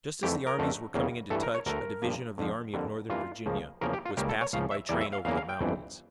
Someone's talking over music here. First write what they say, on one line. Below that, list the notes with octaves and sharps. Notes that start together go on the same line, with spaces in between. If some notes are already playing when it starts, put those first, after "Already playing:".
Just as the armies were coming into touch a division of the Army of Northern Virginia was passing by train over the mountains.
F2 E3 A3 G4
A#4
F2 D3 A3
E2 C#3 G3 A#3
G2 E3 A3 A4
A#4
C#5
D2 D3 A3 A#4
G2 F3 A#3
F2 D3 F3
F2 D3 G3 A#3
G2 E3 A#3 F4
C#2 C#3 F3 A#3
E2 C#3 F3 A#3 A#4
G4
F4
C#2 C#3 G3 A#3 G4
A4
C#5
C#2 C#3 F3 F5
E5
E2 E3 G3 A#3 D5
E5
F5
E2 C#3 E3 A#3 F5
F5
G5
G1 F2 E3